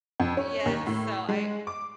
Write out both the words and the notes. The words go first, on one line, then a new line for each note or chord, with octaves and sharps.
Yes, so I
F2
C#4
D#2
A2
G#3
D6